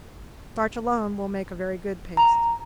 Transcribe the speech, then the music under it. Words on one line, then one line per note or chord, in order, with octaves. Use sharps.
Starch alone will make a very good paste.
A#5